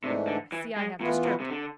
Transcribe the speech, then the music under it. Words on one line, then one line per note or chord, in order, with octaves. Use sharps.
I see I have disturbed you.
G#2 C3 E3 A3 D4
D3
E3
G#3
A2 E3 B3 F4
B2
C3
D3